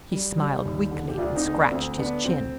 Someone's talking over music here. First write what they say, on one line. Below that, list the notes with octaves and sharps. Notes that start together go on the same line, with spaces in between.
He smiled weakly and scratched his chin.
G3
G3
D#2
D3
G4
D2 D4 F4
C4 D#4
D3
B3 D4
D2 C4
D3 B3 D4
D2 C4